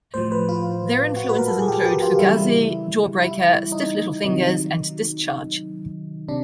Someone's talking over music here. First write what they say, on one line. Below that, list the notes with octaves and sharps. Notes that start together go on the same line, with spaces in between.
Their influences include Fugazi, Jawbreaker, Stiff Little Fingers and Discharge.
A2 F3 C5
B4
F4
F#4
B4
A#4
A4
G#4
G4
G4
F4
C#3 E3 G3 E4
E4
D#4
C3 D#3 F#3 D#4
C3 D4